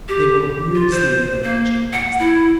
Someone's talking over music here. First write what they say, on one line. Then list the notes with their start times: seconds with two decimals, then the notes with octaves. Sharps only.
They will abuse the advantage it gives them.
0.08 G4
0.75 F4
0.91 C5
1.43 A#3
1.93 F#5
2.19 E4